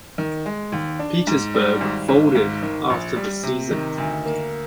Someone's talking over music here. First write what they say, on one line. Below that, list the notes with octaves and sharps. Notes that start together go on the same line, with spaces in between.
Petersburg folded after the season.
D#3
G#3
D#2
D4
G#2
G3
G#1
G#1
G#2
D#3
A#1
G3
C3
D#3
D2
A#3